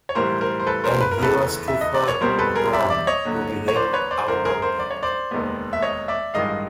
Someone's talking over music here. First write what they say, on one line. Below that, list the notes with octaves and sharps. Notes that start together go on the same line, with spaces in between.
And he was too far gone to be helped out of that.
C#5
B1 A2 E3 G3 A#4 C5
A#4 C5
C5
A4 B4
A#4 C5
B4
A#4
F1 E2 C#3 E3 A4 B4
E5
D#5
D5
C#5
C#2 B2 G3 C4 A#4 C5
A4 B4
G#4 A#4
D5 E5
D5 E5
C#5 D#5
D#2 D3 F#3
C#5
C5 D5
B4 C#5
C5 D5
G#1 F#2 D3 A#4 C5
G#4 A#4
A#4 C5
D5
C#5
C5 D5
F1 D#2 D#3 G#3 B3
E5
C#5 D#5
D5 E5
A1 G2 D#3 G#3 D#5 F5